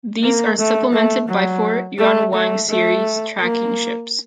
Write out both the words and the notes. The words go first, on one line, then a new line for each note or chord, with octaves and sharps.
These are supplemented by four "Yuanwang"-series tracking ships.
A#3
A3
A3
F#3
A3
A3
A3
A#3